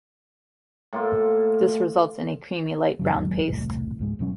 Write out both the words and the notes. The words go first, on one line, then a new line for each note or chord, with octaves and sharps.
This results in a creamy, light brown paste.
A2 A#3 F4
F#2 C#3 F#3
E1 D#2 G#2 F#3
E1 C2 A2
C#2 G#2 G#3
E1 B2 F#3 C#4